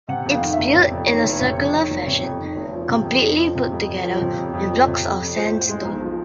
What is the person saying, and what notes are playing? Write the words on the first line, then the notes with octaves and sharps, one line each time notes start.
It's built in a circular fashion, completely put together with blocks of sand stone.
C3 F#5
F2
F5
D#3
E5
F1
C#5
C3 D5
F2
D#3 C#5
F1
C3 C#5
F2
D#3
F1
C3
F2
D#3
F1
F3
C3
F2
F2
F3
C3
F2
F2
F3 C#5
C3
F2
F2
F3
C3
F2
F2
F3 C5
A2
G#3
B1
F3